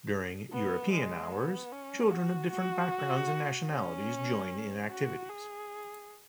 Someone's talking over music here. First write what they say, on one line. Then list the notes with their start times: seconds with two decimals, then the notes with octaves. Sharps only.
During "European hours", children of different backgrounds and nationalities join in activities.
0.53 B3
0.93 G#3
1.32 B3
1.72 C#4
2.11 F#4
2.51 F#4
3.71 C#4
4.90 F#4
5.30 G#4